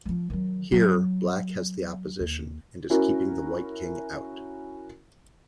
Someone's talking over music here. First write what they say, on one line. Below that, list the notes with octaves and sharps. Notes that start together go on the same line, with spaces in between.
Here, Black has the opposition, and is keeping the white king out.
F3 F#3
D#3 F#3
F#3
D#2
C#4 E4 F#4 A#4